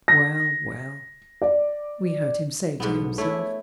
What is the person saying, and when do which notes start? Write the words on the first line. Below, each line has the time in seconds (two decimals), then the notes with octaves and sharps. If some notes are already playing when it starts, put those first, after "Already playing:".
"Well, well!" we heard him say to himself.
0.08 A#6
1.42 D5
2.80 B1 G#2 D3 B3
3.18 A3 E4 C#5